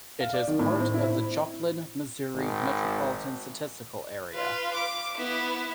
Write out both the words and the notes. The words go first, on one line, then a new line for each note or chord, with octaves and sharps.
It is part of the Joplin, Missouri Metropolitan Statistical Area.
F5
D5
D#3
A2
C4
E4
G#1
F4 B4
D6
B3 E4